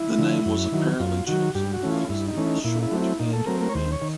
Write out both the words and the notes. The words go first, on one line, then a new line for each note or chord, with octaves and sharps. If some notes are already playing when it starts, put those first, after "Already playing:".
The name was apparently chosen because it was short and unique.
Already playing: E4
D3 F3
F#2
D#3 F#3
F#2 F4
D#3 F#3 F#4
G2 G4
F#4
E3 A3 C#4
F4
G2 E4
D#4
E3 A3 C#4
D#4
A#2 E4
E4
F#3 A3 C4
E4
A#2 D#4
A4
F#3 A3 C4 A#4
A#4
C#5
D#2 C5
C#5
D#3